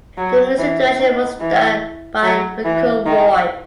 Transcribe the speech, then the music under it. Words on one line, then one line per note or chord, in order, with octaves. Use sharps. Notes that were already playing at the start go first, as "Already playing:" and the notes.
The music direction was done by Mukul Roy.
F#3
E3
D#3
E3
F#3
E3
D#3